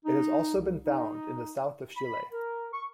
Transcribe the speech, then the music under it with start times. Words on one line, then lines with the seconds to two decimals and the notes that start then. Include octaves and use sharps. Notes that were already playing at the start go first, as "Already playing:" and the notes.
It has also been found in the south of Chile.
0.05 D#4
0.56 C2
0.84 D#4
1.97 B5
2.32 A#4
2.73 C#6